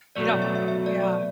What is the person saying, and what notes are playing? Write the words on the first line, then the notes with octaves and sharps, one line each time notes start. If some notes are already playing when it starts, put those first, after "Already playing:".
you know, ho oh yeah.
B2 F#3 A3 D5
E5
E5
E5
E5
D5
D5